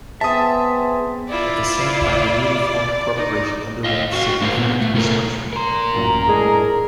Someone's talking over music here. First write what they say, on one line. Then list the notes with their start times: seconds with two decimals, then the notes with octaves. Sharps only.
At the same time, the newly formed Corporation underwent significant restructuring.
0.21 B3 C4 G#4 E5 A5 D#6
1.30 E4 F4 D5
3.16 D#4
3.84 D#5 F5
4.13 F#4 F5
4.42 A3 D4 G#4 A#4 C5 F5
4.56 A#2 B3
4.80 A3
4.94 C3 A3 F4 A4 A#4
5.53 A#4 A#5 C6
5.94 A1 F#2 A#2
6.29 A2 G#3 D4 G#4